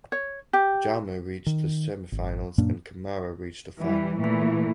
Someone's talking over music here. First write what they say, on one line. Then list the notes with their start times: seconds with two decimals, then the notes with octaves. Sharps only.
Jammeh reached the semifinals and Camara reached the final.
0.12 C#5
0.53 G4
1.46 D#3
2.12 G#1
2.58 F#2 A#2 A#3 D4
3.79 E3 G3
4.18 A#2 E3 A3